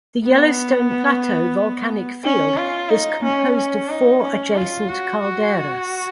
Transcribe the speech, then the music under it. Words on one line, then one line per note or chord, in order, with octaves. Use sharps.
The Yellowstone Plateau volcanic field is composed of four adjacent calderas.
B3
C#4
F4
D#4
C#4
C#4
D#4
C#4
F4
F#4
F#4